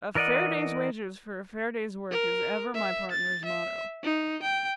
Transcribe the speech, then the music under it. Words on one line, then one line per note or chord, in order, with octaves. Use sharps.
A fair day's wages for a fair day's work is ever my partner's motto.'
E3 A#4 D5 D#5 F#5
A#4
E5
A6
E5
D#4
G5